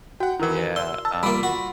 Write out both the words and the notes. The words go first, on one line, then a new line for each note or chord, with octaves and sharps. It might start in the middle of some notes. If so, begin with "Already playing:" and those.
Yeah, um
F#4 F#5 G5
D#3 E3 E4 A#4
D5 C6 E6
A5 E6
G3 A#3 F4 B5
F#4